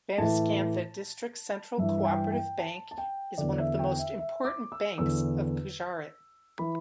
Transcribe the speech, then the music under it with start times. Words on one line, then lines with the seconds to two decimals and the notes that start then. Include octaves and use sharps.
Banaskantha District Central Co-operative Bank is one of the most important banks of Gujarat.
0.18 A2 E3 A5
1.78 G2 E3 E5
1.98 E5
2.05 G5
2.31 G5
2.59 A5
2.91 A5
2.98 G5
3.38 E2 D3 D5
3.59 E5
3.79 G5
3.98 E5
4.19 E5
4.45 D6
4.72 E6
4.98 E2 D3 E6
6.59 E3 B5